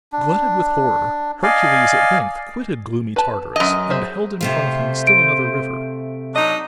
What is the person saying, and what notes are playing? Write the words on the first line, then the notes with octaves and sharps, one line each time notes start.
Glutted with horror Hercules at length quitted gloomy Tartarus and beheld in front of him still another river.
D4
D5 D#5 F5 G#5
B4 A5
F#2 D#5
G#4 C5 E5
C3 A3 F4 C5
D7
F#3 D4 D#4 D#5